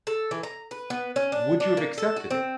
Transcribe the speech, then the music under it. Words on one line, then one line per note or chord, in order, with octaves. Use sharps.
would you have accepted it?
A4
E3
A#5
B4
B3
C#4
D4
D4
A#3
A4
F#4
C4